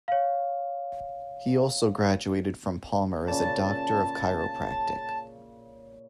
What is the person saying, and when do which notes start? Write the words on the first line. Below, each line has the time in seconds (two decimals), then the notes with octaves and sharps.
He also graduated from Palmer as a Doctor of Chiropractic.
0.08 C#5 F5
3.28 A#2 C#3 A5